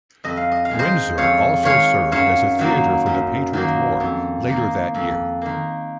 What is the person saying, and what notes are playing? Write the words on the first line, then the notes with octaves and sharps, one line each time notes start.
Windsor also served as a theatre for the Patriot War, later that year.
F2 D#5
F5
D#5
F5
D#3 G#3
C5 D#5
F2 C#5 F5
D#3 G#3 C#5 F5
F#2 C#5 F5
D#3 F#3 A#3
F#2
D#3 F#3 A#3
F2
D#3 A#3
F2
D#3 A#3